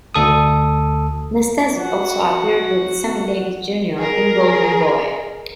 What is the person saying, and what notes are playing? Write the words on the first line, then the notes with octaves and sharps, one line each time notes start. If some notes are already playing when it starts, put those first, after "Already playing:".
Nastasi also appeared with Sammy Davis Junior in "Golden Boy".
D2 A4 D#6
F#4 F#5
G#4 A#4